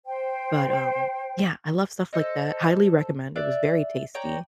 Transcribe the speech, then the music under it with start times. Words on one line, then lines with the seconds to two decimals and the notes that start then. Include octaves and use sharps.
but, um, yeah, I love stuff like that, highly recommend, it was very tasty,
0.06 C5 G5
2.13 A4 C5 D#5
3.36 D5 E5 F#6
4.15 C#5 D5 G5 A#5